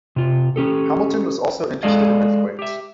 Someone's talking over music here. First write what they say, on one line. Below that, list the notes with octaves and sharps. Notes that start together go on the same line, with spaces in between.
Hamilton was also interested in earthquakes.
C3 F4
C#4 G4 A4
G#3 A4 D5 D#5 F5
G4 E5